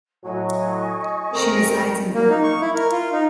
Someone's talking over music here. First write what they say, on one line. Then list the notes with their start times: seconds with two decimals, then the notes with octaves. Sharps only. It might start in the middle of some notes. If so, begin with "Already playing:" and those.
She resides in Berne.
0.23 A2 F#3 D#5 G#5 C#6
1.32 D#2 A3 C4 A#4
2.15 A#3
2.30 D#4
2.43 C#6
2.61 E4
2.74 A#4
2.91 F4
3.12 D#4